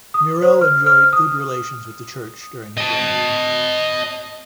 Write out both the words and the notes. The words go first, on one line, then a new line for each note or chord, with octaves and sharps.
Miro enjoyed good relations with the Church during his reign.
D#6
C5
F6
F6
D#6
D#5 A5